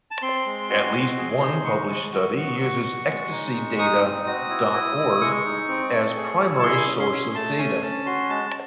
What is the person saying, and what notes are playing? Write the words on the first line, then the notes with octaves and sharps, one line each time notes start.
At least one published study uses EcstasyData dot org as primary source of data.
A5
C4 C6
G#3
F#4
C4
G#4
D#4
G#3 C#6
G#3
F#4
F#4 C#6
F#4
F#4
G#3
D#4
G#3
D#4 D#6
C4
F#4
E4
E4
E4
G#3 C#6
D#4
C4
A3
G#4
E4
A5
G#4 C6
C#4
C6
C#4
A3 A5
C#4 G#5
C#4 A5
F#4 C6
G#3 A5